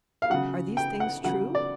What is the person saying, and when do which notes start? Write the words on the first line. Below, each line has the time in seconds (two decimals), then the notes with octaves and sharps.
"Are these things true?"
0.22 F5
0.30 C#3 F#3 F#5
0.77 G5
1.00 F#5
1.24 C#3 F#3 F#5
1.55 D5